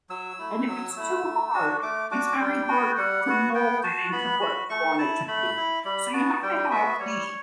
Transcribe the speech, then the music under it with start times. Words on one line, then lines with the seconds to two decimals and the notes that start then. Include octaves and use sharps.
and if it's too hard, it's very hard to mold it into what you want it to be. So, you have to have the,
0.10 F#3 E6
0.39 A3 E4
0.67 F#3
0.97 A3 E4
1.25 A3
1.54 D4 F#4
1.83 A3 D6
2.11 D4 F#4 D6
2.40 G3 G5
2.69 B3 F#4
2.98 G3 F#5
3.26 B3 F#4
3.55 B3 G5
3.84 F#4 A5
4.12 B3 B5
4.41 F#4
4.70 A3 C#6
4.98 E4 A5
5.27 A3 B5
5.57 E4
5.85 G3 B5
6.13 B3 F#4 A5
6.42 G3 G5
6.71 B3 F#4 E5
7.00 G3 C#5